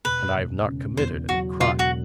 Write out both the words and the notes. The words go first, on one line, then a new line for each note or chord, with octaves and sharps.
And I have not committed any crime.
E1 B4
E1
C#3
E2 C5
F#3 F#4
E1 F4
F#4